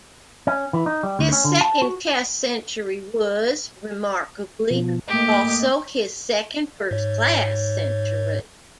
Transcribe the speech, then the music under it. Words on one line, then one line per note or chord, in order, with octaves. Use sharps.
This second Test century was, remarkably, also his second first-class century.
C#4
E3
D#4
G3
D2
C#4
D3
A5
F#4
B2 F3
G#2 A3 A#3 G4 D#5
G#2 C#5